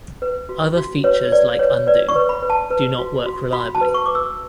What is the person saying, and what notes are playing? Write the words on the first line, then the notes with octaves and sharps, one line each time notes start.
Other features like Undo do not work reliably.
B4
F#4
F#4
B4 C#5
B4 D5
B4 C#5
B4 D5
C#6
B4
B5
B4
A5
B4
F#4
F#4
F#4 B5
A5
B4
C#6
B4 D6
E6